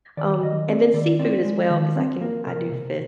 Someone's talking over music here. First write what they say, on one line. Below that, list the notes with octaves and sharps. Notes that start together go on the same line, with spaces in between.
um, and then seafood as well, 'cause I can I do fish
D#3 D5
D#3 D#5
C4 D5
D#3 D5
C4 D5
G#3
D#3
C4
A#3 A#4
C3 A#4
C3